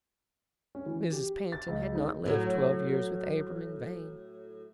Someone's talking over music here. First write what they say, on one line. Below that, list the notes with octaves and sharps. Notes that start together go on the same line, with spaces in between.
Mrs. Pantin had not lived twelve years with Abram in vain.
C#4
E3
G4
A6
C#2
D#4
A2 F#3